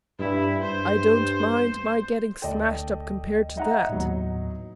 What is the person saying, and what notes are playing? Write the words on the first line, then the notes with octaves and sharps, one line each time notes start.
I don't mind my getting smashed up compared to that.
G2 E4
G2 C5
D2 A4 D5 D#5 G5
D#4 E5 F#5 A#5
D#2 A2 F#3 B3 D#4